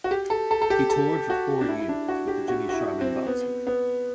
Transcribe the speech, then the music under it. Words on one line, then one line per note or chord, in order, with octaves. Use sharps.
He toured for four years with the Jimmy Sharman Boxing Troupe.
F#4
G4
A4
A4
A4
G4
A4
F#4
D4
E4
E4
D4
F#4
G4
F#4
F#4
E4
C4
B3
B3